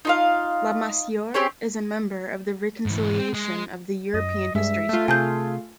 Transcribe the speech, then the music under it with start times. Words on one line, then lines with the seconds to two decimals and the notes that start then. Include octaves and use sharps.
Lamassoure is a member of the Reconciliation of European Histories Group.
0.05 D#4 F4 F5
1.34 C4 G4 G#4 C#5
2.86 G#2 E3
3.18 C4
3.34 G#3
4.14 F#2 D#5
4.55 G2 G#3 E5
4.89 A3 F4
5.08 C3 G#4 G#5 A5 G6